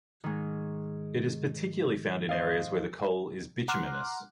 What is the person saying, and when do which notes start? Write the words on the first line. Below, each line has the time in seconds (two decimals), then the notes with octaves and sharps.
It is particularly found in areas where the coal is bituminous.
0.24 G#2 D#3
2.29 C5 D#5 F5
3.68 F#5 A#5 C6 D6 F6 F#6